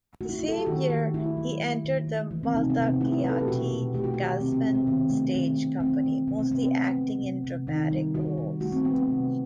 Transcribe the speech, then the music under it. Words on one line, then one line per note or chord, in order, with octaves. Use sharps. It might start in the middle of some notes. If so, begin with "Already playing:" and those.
The same year, he entered the Maltagliati-Gassman stage company, mostly acting in dramatic roles.
A3 F#4
E4
F#3 F#4
A4
G4
D#3 F#4
D#3
A3 E4
F#3
D#3
D#3
A3
E3
C4
C3 D#4
B3
C3
C4
A3 E4
B4
F#3
A4
G4
B2 F#4
B2
A3 G4
F#4
D#3 G4
C3 C4
C4
C3 C4
B3
D#3 C4
A3
D#3 C4
A3
A3 C4
E3
C3 B3
C4
C3 B3
C4
A3
F#3
C3
C3
D#3 D#4
G3
D#3 F#4
G3
A3 F#4
C4
F#3 B3
C4
C3